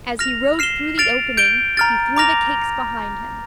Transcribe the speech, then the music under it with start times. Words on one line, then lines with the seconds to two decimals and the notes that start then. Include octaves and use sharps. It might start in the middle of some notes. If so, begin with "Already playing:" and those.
As he rode through the opening he threw the cakes behind him.
0.19 F6 A#6 F7
0.59 F6 C7 E7 G7
0.98 F6 A6 D7 F7
1.37 G6 D7 G7
1.77 A#5 F6 A6
2.17 A#5 D6 F6 A#6 F7